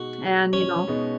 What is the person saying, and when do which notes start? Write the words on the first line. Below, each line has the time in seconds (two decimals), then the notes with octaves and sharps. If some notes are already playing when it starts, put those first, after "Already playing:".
And, you know,
Already playing: B2 G#3 D#4 F#4
0.53 C#4
0.88 B2 G#3 B3 D#4